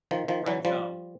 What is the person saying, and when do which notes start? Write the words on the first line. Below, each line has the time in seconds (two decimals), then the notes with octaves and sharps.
Friend zone.
0.11 D#3 F3
0.28 D#3 F3
0.46 E3 F#3
0.65 F3 G3